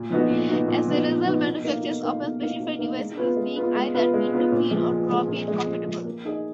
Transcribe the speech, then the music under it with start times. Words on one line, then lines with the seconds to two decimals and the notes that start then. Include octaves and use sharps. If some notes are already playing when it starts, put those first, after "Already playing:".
As a result, manufacturers often specify devices as being either "pin-to-pin" or "drop-in" compatible.
Already playing: A#2
0.10 F3 B3 D#4 F#4
0.30 A#2
0.49 F3 B3 D#4 F#4
0.68 A#2
0.88 F3 B3 D#4 F#4
1.07 A#2
1.26 F3 B3 D#4 F#4
1.45 B2
1.64 A#3 D#4 A#4 F5
1.83 B2
2.03 A#3 D#4 A#4 F5
2.22 B2
2.41 A#3 D#4 A#4 F5
2.60 B2
2.79 A#3 D#4 A#4 F5
2.98 G#3
3.17 B3 F4 B4
3.37 G#3
3.56 B3 F4 B4
3.76 G#3
3.94 B3 F4 B4
4.14 G#3
4.33 B3 F4 B4
4.52 A#2
4.71 F3 G#3
4.90 A#2
5.09 F3 G#3
5.28 A#2
5.48 F3 G#3
5.67 A#2
5.86 F3 G#3
6.05 A#3
6.25 D#4 G#4 D#5